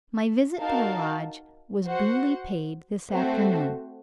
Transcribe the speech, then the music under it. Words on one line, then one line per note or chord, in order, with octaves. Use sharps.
My visit to the Lodge was duly paid this afternoon.
D#4 F#4 A#4 F5 A5
F#4 C5 F#5
A3 C4 F#4 A4 C5